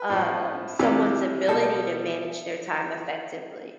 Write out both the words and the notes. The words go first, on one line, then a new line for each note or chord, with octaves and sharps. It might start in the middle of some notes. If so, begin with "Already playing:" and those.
um, someone's ability to manage their time effectively?
Already playing: B4
A2 F3
C3 E3 G3 G4
B2 G3 A4